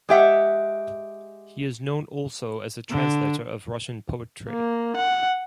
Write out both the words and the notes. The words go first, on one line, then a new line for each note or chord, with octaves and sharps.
He is known also as a translator of Russian poetry.
G#3 G4 E5 F#5
D3
A#3
F#5